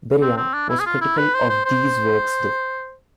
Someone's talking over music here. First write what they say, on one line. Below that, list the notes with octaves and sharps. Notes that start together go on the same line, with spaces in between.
Beria was critical of these works, though.
C4
C4
D4
E4
G#4
F4
E4
B4
C5
C5
C5